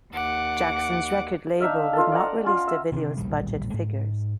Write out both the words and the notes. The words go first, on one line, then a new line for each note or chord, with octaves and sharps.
Jackson's record label would not release the video's budget figures.
D#2 F#5 D6
D4 D#4 E5 F5
F4 A4
D5 F#5 A#5
C#4 F4
E5
C3 D#3 F#3 D4
D1 A#1 D#3 G3
G#2